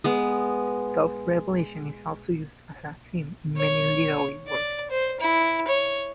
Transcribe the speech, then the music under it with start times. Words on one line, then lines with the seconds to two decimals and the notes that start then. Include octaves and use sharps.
Self-Revelation is also used as a theme in many literary works.
0.04 G#3 B3
3.56 C#5
4.48 D5
4.90 C5
5.20 E4
5.68 C#5